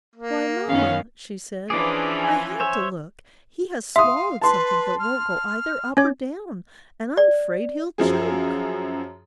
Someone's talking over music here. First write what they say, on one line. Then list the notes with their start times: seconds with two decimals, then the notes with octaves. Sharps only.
"Why, mamma," she said, "I had to look; he has swallowed something that won't go either up or down, and I'm 'fraid he'll choke."
0.15 A#3
0.69 F#2 D#3 B3 C#4 F5
1.70 E3 F3 C#4 D4 G#4 D6
2.24 G#5
2.60 C5 C#5 E5
3.96 E5 F5 C6 D#6
4.41 B4 A5 C6
4.99 F6
5.97 C#4 C#5 D6
7.17 D5
7.98 F#2 F3 G#4